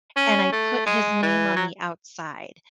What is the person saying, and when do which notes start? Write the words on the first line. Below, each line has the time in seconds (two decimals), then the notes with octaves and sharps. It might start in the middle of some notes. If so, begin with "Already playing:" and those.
and I put his name on the outside,
0.16 C#4
0.52 A3
0.86 G#3
1.22 E3
1.56 F#3